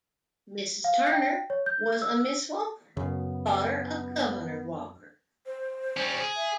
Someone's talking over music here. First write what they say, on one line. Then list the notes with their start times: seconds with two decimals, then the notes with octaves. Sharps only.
Mrs Turner was a Miss Walker, daughter of Governor Walker.
0.84 F5
1.12 G5
1.50 C#5
1.66 G6
2.02 E6
2.97 F#2 C#3 B3
5.46 C5
5.97 G3 C#4
6.21 G#4
6.37 E5